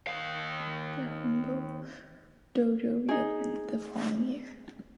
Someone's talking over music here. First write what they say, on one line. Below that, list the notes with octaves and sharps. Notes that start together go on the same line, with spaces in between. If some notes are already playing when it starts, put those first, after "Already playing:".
The Hombu dojo re-opened the following year.
D#2 F5
D#4 G#4